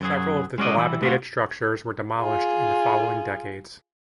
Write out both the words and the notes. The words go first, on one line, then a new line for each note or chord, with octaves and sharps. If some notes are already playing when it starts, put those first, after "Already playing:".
Several of the dilapidated structures were demolished in the following decades.
F#2 F#3 G#4
G#3 C#4 F#4 D5 D#5
E3 G3 E4
A3 B3 C4 D4 F4 F#4
F4 G#4